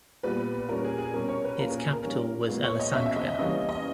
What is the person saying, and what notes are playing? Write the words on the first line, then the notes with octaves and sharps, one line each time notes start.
Its capital was Alessandria.
A#2 G3 B3 B4
A#2 G3 C#4 A#4
G#4
G#4
B2 G3 C#4 A#4
C#5
B4
A#2 A#3 C#4 A#4
G#4
G#4
A#4
D#3 G3 A#3 C#4
A#2 G#3 B3
C#5
D#5
B2 A#3 C#4 E5
E5
D#5
D#5
C#3 E3 G3 A#3 C#4 D#5
D#5